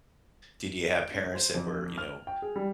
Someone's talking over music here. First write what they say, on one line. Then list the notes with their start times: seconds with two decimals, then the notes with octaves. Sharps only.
Did you have parents that were, you know,
0.96 D7
1.14 C#4
1.35 C5
1.55 F2
1.98 F6
2.27 G5
2.42 G#4
2.56 G3